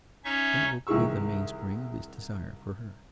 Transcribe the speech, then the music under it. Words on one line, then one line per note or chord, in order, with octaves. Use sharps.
And that will be the mainspring of his desire for her.
C#4 D#4 C#5 E5 C#6
C2 D#3 E3 G#4 C#6 E6